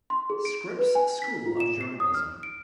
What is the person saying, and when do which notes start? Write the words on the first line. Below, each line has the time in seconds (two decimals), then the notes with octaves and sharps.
Scripps School of Journalism.
0.10 C6
0.30 G#4
0.45 D7
0.79 B4
0.95 G#5
1.22 B6
1.46 F4
1.60 E7
1.81 C7
2.00 D#6
2.14 F6
2.43 D7